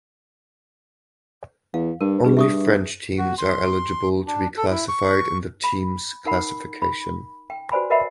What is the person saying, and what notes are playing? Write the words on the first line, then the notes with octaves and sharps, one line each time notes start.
Only French teams are eligible to be classified in the teams classification.
E2 F5
G2 A#4
G2 G#4 B4
G2 E5 C#6 D#6
F#4
C6
D4
A4
E4
C#6
B5
D#4 A#4 F#5 B5
B5
G5
F#4 B4 C5 D5 G#5 B5
A#4 B4 D#5 E5 F#5 B5